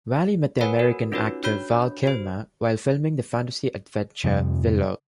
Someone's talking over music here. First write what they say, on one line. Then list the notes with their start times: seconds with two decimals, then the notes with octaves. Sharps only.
Whalley met the American actor Val Kilmer while filming the fantasy adventure Willow.
0.61 A#4 B4 C#5 F#5 G#5 B5
0.79 F#4 A#4 B4
1.12 C#4 D#4 F4 F#4 B4 C#5
1.44 D4 F#4 C#5 B5 G6
2.03 F#4 C5
4.24 F2 C3 F3 G3